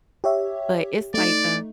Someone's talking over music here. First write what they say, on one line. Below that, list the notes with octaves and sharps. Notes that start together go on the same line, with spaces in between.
but it's like a
G4 C#5 E5
A3 D#4 D5